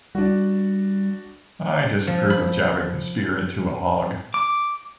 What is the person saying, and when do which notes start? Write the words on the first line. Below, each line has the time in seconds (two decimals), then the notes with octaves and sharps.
I disapprove of jabbing the spear into a hog.
0.15 G3 D4 F#4
2.07 F3
2.30 B5
4.34 D6